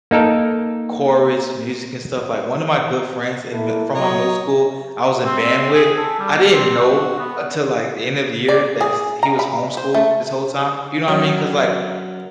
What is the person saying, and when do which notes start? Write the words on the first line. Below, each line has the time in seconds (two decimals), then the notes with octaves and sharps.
chorus, music, and stuff, like, one of my good friends in mi from my middle school I was in band with, I didn't know until, like, the end of the year that this he was homeschooled this whole time. You know what I mean? 'Cause, like,
0.11 A#3 D#4 A4 A#4
3.51 A#3 E4 A4
3.95 F#3 C#5 D#5 A#5
5.25 C4
5.74 G#4
5.97 A4
6.19 G3
6.36 A#3
6.53 C4
6.80 F#4
7.19 B3
8.49 D5
8.81 G#4
9.23 A#5
9.39 B5
9.77 C5
9.94 A3
11.08 F#2